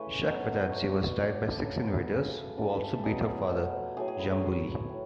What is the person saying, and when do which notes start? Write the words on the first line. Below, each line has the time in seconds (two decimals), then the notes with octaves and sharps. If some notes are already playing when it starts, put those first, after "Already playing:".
Chakvetadze was tied by six invaders who also beat her father, Djambuli.
Already playing: C#3 E3 A3 B4 C#5
0.26 B2 F#3 A3
0.72 B2 F#3 A3 C#5
0.96 D5
1.18 C#3 F#3 A3 D5
1.34 C#5
1.50 A4
1.64 C#3 F#3 A3 B4
2.11 C#3 E3 A3
2.57 C#3 E3 A3 A4
2.69 B4
2.82 A4
3.03 B2 F#3 A3 G#4
3.51 B2 F#3 A3
3.97 A2 F#3 A3 G#4
4.08 G#4
4.20 B4
4.32 C#5
4.42 A2 F#3 A3
4.89 A2